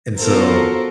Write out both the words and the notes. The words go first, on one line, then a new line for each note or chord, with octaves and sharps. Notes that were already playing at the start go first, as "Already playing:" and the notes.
And so
B3 F4 F#4 A4 A#4 C5